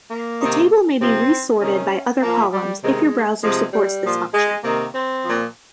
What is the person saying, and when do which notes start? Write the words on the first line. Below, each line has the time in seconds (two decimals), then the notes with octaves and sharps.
The table may be resorted by other columns if your browser supports this function.
0.10 A#3
0.41 C3 D#3
1.01 C3 F3 C4
1.61 C3 D#3 C#4
2.22 A#2 F3 A#3
2.52 G3
2.83 C3 D#3 G#3
3.43 C3 F3 G#3
3.74 G3
4.03 A#2 F3
4.34 G#3
4.64 C3 D#3 A#3
4.94 C4
5.25 A#2 F3